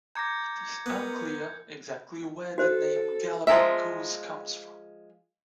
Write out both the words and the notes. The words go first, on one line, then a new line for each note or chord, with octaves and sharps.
It is unclear exactly where the name "Galloping Goose" comes from.
A#5 D6 G6 G#6 A#6 C#7
B3 A#4 F#6
F#4 A4 C5
F3 G#3 A#4 E5